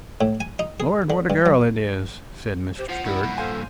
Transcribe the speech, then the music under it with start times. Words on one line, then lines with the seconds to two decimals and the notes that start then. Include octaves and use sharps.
"Lord! what a girl it is!" said Mrs. Stuart.
0.21 A2
0.40 G#5
0.59 D#4
0.80 G#4
1.10 D3
1.30 G2
1.46 F#3
2.78 G4 C5
2.89 F3 C5 F#5
3.06 D#3 G3 E4 B5
3.23 G2 A#2
3.37 A4 C5 F5 G#5